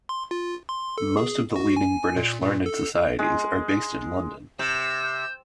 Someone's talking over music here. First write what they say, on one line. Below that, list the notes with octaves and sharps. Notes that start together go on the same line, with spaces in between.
Most of the leading British learned societies are based in London.
C6
F4
C6
A4
G#4
F#4
G#5
A#2
A#2
A4
G#3
C3 E6 G6